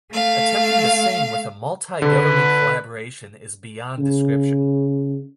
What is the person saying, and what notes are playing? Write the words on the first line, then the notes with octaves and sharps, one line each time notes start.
Attempting the same with a multigovernment collaboration is beyond description.
A3 F5
D3 B4
C#3